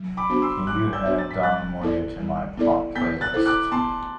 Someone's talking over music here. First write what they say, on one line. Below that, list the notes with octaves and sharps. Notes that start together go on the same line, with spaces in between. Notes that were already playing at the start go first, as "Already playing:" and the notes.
Can you add don moye to my Pop playlist?
Already playing: F#3
B5 D6
B3 D4 F#4 C5
C6 E6
F#3 D6 F#6
E6 G6
B3 D4 F#4 C5
A6
B6
G3 F#6 A6
B3 E4 A4 D5
G3
B3 E4 A4 D5
B3 G6 B6
F#6 A6
E4 A4 C5
D6 F#6
B3 A5 C6